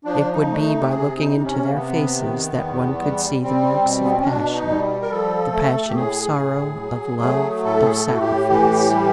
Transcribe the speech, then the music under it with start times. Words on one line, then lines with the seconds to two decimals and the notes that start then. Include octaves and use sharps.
It would be by looking into their faces that one could see the marks of passion--the passion of sorrow, of love, of sacrifice.
0.04 F3 D4
0.32 D#4
0.47 A3
0.53 D4
0.61 D#4
0.81 G4
0.89 C3 G#4
1.18 D#4
1.31 C3
1.45 C#4
1.66 A#3
1.74 C3 B3
2.16 D#3
2.58 E2
3.00 G3
3.42 G3 C4
3.85 B2
4.05 B3
4.12 C4
4.20 C#4
4.27 B2 D4
4.55 D#4
4.68 G3
5.02 A#4
5.10 F3 A4
5.53 A3
5.89 G4
5.95 A2 G#4
6.38 A2
6.79 F#3
7.22 A3
7.64 A2 A4
7.85 G#4
7.91 A4
8.06 A2
8.14 F#4
8.21 G4
8.49 E3 G4
8.91 G3